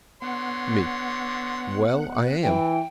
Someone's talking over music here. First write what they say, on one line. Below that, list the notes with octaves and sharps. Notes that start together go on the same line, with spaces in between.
ME: Well, I am.
D3 B3 C#5 F#5 C6
E3 G5